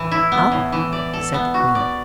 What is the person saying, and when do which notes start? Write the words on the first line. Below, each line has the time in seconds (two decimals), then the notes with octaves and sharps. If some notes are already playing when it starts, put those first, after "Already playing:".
"Ah!" said the queen.
Already playing: A2 E3
0.12 E4
0.32 B3
0.52 A2
0.72 E3
0.93 D5
1.13 A4
1.34 B3
1.54 F#4
1.75 D5